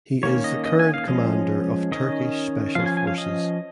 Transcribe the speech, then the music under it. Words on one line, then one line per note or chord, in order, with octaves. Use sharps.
He is the current commander of Turkish Special Forces.
D#3 A#3 C#4 C#5
D#5
D#5
G#5
F5
F3 G#3 C#4 D#5
D#3 C#4 D#5
F3 C#4 F5
G#5
G#5
F5
D#5